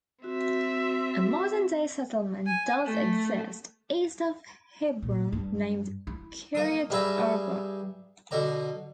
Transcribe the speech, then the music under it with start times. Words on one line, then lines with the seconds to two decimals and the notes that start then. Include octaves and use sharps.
A modern-day settlement does exist east of Hebron named Kiryat Arba.
0.24 C4 F#4 E5
2.46 G#5
2.85 A3
5.02 A#2
5.32 G2
6.07 E4
6.55 A#3 A#4 D#6
6.90 G2 G3 G#4 B4 E5 A#5
8.31 B2 D3 D5 A#5